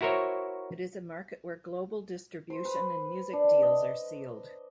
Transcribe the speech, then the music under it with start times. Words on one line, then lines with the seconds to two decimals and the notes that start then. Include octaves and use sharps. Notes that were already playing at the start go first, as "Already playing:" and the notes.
It is a market where global distribution and music deals are sealed.
0.01 E4 F#4 A#4 C5 C#5 E5
2.50 C5
2.65 B4
3.33 D4
3.62 D#5